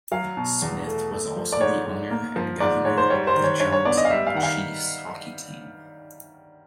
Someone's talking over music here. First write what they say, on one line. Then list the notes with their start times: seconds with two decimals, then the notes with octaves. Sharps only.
Smith was also the owner and Governor of the Johnstown Chiefs hockey team.
0.12 F#3 F5
0.37 B2
0.62 E2
0.87 A3
1.11 A3
1.36 F3
1.53 D5
1.61 G#2 C#5
1.86 G#2
2.11 A#3
2.36 F3
2.60 G#2 D5
2.85 G#2 C#5
2.98 C5
3.10 G3 C#5
3.27 C5
3.35 D#3
3.44 C#5
3.60 G2 C#5
3.72 C#5
3.85 B3 D5
3.97 D#5
4.05 F5
4.10 G3 E5
4.27 F5
4.35 D#3 F#5
4.43 F5